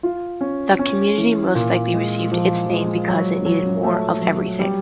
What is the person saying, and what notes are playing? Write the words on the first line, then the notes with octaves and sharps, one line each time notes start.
The community most likely received its name because it needed more of everything.
F4
C#4
C#4
E3
A#2
G#3
F3
G#3
F#3
F#3
A3
F#3
G3